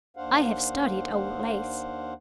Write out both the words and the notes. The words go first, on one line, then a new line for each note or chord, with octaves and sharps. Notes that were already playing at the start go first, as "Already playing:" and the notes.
I have studied old lace.
D#2 D4 C5 F5 F#5